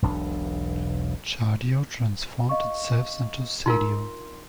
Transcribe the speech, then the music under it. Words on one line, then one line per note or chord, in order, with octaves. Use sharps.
Tchadio transformed itself into Sadio.
E1 B1 D4
D#5 F5 C#6
D#4 F4 A#4 C6